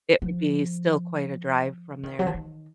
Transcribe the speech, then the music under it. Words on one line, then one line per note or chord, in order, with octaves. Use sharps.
it would be still quite a drive from there.
F3
D#3
F#3
F3
D#3